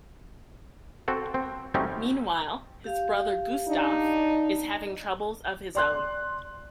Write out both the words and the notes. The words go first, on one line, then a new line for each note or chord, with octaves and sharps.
Meanwhile, his brother Gustav is having troubles of his own.
C4 F#4 A4
C4
F#3 G3 A3 C4 C#4 D#4
G4 F5
D4 D#4
D5 C6 F#6